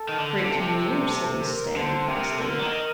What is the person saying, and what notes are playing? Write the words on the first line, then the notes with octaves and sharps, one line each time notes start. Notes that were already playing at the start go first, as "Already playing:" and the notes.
"For eighteen years," said Mrs. Danby placidly.
Already playing: A4
D#3
D3
D3
C3
A#4
D3 C5
C3 A#4
A4
D3 A#4
F#3
D#3
A#4